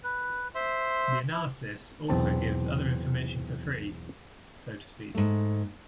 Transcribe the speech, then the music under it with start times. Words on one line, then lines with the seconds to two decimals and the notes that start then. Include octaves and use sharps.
The analysis also gives other information for free, so to speak.
0.04 B4
0.55 C5 E5 C6
1.31 E4
2.08 B1 E2 C4 A5
5.15 G#2 A3